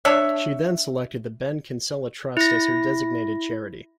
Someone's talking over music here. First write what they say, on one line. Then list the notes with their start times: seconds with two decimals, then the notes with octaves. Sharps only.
She selected the Ben Kinsella Trust as her designated charity.
0.05 D4 C#5 E5
2.37 E4 A#6